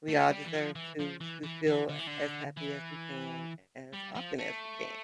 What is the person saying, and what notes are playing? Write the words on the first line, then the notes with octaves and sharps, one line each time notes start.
We all deserve to to feel as happy as we can as often as we can.
A3
G3
E3
F3
E3
F3
E3
E3
E3
D3
E3
D3
E3
G3
F3
A3